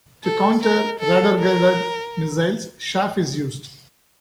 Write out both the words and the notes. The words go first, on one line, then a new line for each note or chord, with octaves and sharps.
To counter radar-guided missiles, chaff is used.
A4
A#4
A4
A#4